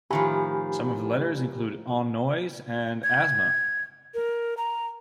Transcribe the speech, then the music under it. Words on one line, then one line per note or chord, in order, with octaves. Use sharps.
Some of the letters include "On Noise" and "Asthma".
A2 D#3 F3 G4 G#5 B5
G#6
A#4
A#5